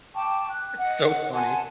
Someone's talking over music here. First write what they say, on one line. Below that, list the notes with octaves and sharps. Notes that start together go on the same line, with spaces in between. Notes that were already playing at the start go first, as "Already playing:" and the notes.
It's so funny.
G5 A5 C#6 D6
F#6
D#5 F#5
F#5 G#5 A5 C6